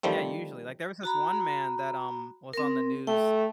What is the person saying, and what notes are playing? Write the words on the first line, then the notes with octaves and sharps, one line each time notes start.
Yeah, usually, like, there was this one man that, um, was on the news,
D#3 F3 G3 A3 C4
F#4 A#5 B5
C4 A#4
A3 G5